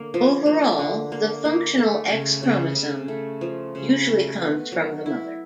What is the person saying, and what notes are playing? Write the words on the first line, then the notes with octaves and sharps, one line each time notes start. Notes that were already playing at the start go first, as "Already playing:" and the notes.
Overall, the functional X chromosome usually comes from the mother.
Already playing: D3 A#3
F3
A#3
D3
A#3
A#3
A3
C#3
C#3
C#3
A3
F3
C#3
A3
B3
F#3
E4